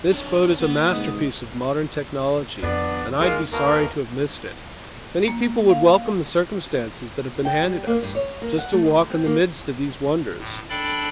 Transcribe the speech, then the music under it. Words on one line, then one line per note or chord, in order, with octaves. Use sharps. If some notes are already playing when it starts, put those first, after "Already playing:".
This boat is a masterpiece of modern technology, and I'd be sorry to have missed it! Many people would welcome the circumstances that have been handed us, just to walk in the midst of these wonders.
C#4 D4
A#3 B3
G#2 C3 D#5 D#6
F2 B3 D4 D5
D#2 G#3 A#3 D#4 F4
B2 A#3 A#4
A#3
F5
G5
G3
A#3
G2
C#5
A#3
F#5
A3
D2
C4
A#3
A2
D4 A4 D5 G5 B5